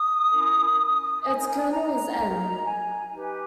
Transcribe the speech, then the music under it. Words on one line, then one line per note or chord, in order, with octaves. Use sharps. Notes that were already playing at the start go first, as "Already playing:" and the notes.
Its kernel is "N".
Already playing: D#6
C#4 E4 A#4
D#4 A#4 C#5 G#5
G#5
A#5
A#5
D#4 A#4 C#5 A#5
G#5
D#4 G4 B4